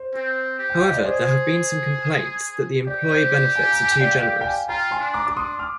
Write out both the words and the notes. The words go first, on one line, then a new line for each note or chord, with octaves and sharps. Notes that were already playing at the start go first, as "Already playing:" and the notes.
However, there have been some complaints that the employee benefits are too generous.
Already playing: C5
C4
G4
G5
F5
D#5
D5
G#4 C5
G4 D5
C5
D5
F5 G#5
A#5
G#5
G5
D5 F5
G5
D5 F5
G5
F5 G#5
F4 G5 A#5
G#5 C6
D4
A#5 D6
D4 D6
C6 D#6
D6 F6